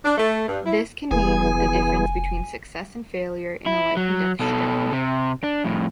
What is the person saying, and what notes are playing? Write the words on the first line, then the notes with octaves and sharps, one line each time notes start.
This can mean the difference between success and failure in a life-and-death struggle.
D4
A3
G2
E4
F1 E3 B3 G#4 G#5
E4
F#3
B2 A4
C3
D4
F2 A2